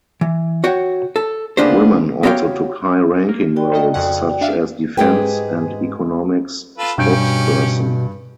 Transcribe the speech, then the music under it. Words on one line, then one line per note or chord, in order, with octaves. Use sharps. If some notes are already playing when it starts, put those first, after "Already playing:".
Women also took high ranking roles such as defence and economics spokesperson.
E3
F#4 C#5 F#5 G5
A4
C#3 A#3 B3 D4 G4 C5
B3 F#4 G4 C#5 F5 G5
A#3
F#4 D5 G5
D#3 A4 D#5
F2 C#3 F#5
D4 E5 F5
G#2 G#3 G4 G#4 B4 G5
F4 A4 B4
G2 B2 C#4 G4 G6 D7